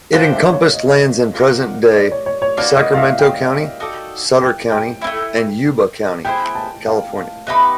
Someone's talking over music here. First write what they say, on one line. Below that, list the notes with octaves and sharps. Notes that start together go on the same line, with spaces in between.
It encompassed lands in present-day Sacramento County, Sutter County, and Yuba County, California.
D4 G4 C5 F5
E5
C#5
D#5
F4 A#4 D5 F#5
D5
C#5
C#5
C#5
A#3 D4 F#4 B4 D5
D#5
F5
E5
G5
D#4 F#4 A4 D5
G5
G5
C4 E4
A3
B3 E4 G#4 C5 G5
A5
F5
F5
B3 D#4 G4 B4 E5